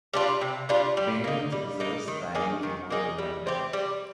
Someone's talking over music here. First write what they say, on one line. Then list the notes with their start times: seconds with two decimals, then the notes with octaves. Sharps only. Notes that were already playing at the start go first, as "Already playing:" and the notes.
Variants exist that use more than one deck.
0.13 G3 D4 F4
0.41 C3
0.69 G3 D4 F4
0.97 G3
1.24 A#3 D#4
1.52 G3
1.80 A#3 D#4
2.08 D#3
2.35 A#3 D#4 G#4
2.63 D#3
2.90 A#3 D#4 G#4
3.18 G3
3.47 C4 G4
3.73 G3